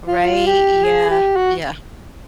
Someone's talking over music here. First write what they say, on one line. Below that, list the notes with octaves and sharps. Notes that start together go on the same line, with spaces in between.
Right, yeah, yeah.
F4
G4
G#4
G4
F#4